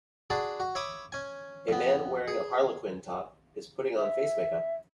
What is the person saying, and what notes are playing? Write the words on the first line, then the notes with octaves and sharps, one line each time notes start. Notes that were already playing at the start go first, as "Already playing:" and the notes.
A man wearing a harlequin top is putting on face makeup.
D4 F#4 G#4 A5 B5
F#4
C#5 E5 B5 D6 D#6
C#4 G#5
F2 B3
G#4
E5